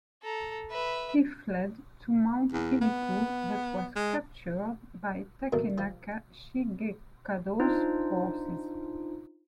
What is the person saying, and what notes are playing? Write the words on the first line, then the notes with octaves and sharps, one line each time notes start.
He fled to Mount Ibuki, but was captured by Takenaka Shigekado's forces.
A4 A#5
B4 E5
E2
B3
G#3
B2 D3 F#3 A3 A#3 A#4
F3 G3
D4 D#4 F4 C5